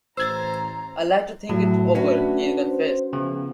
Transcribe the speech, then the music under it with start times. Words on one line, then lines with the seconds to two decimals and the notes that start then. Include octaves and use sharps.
"I'd like to think it over," he, confessed.
0.17 A1 C5 A#5 E6 G#6 A6
1.49 A2 F#3 A3
1.95 C#4 D4 F#4 B4
2.69 C5
3.13 C#3 F3 B3